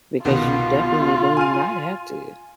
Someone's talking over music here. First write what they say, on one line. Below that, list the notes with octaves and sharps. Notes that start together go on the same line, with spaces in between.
because you definitely do not have to.
C2 B2 D#3 F4
G#5 F6 D#7